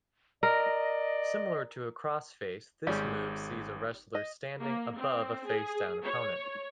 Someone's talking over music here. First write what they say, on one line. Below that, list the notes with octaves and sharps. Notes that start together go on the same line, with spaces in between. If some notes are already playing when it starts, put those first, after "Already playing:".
Similar to a crossface this move sees a wrestler standing above a facedown opponent.
A#4 D5 D#5
G#1 G3 G#3 C#4 G4
D#5
A#3
C4
G#4
C#5